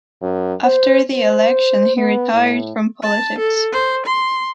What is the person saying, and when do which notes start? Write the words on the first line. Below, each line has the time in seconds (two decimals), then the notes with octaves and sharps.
After the election he retired from politics.
0.22 F#2
0.65 C5
1.14 C5
1.97 B3
2.34 A2
3.02 A5
3.38 A4
3.72 C5
4.06 C6